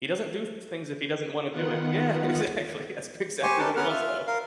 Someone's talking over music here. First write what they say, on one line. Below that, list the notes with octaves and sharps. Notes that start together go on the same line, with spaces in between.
He doesn't do things if he doesn't wanna do it. Yeah. Exactly. That's p exactly what it was, though.
D#3 B3 F4 F#5
G4 C5 G#5 C#6
C#4 D#4 G4 B4 A5
B3 C#4 A#4 B4 F#5 F6
F4 E5 F6
A#4 F5